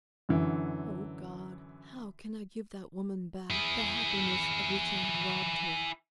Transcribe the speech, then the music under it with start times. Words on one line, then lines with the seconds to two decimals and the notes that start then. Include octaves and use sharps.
"Oh, God, how can I give that woman back the happiness of which I have robbed her!"
0.29 F#2 D3 E3
3.50 E4 G#4